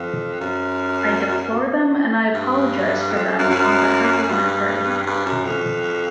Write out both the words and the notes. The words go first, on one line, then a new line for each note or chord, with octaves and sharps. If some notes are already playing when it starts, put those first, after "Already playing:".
I deplore them and I apologise for them on behalf of my party.
Already playing: F2
F#2
G2
F2
F2
F#2
F#2
G2
G2
F#2
F2